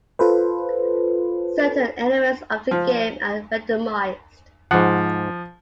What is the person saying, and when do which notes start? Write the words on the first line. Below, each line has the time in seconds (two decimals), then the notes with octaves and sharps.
Certain elements of the game are randomized.
0.19 F4 A4 B4 C5
2.71 F3
4.71 G#2 F3 F#5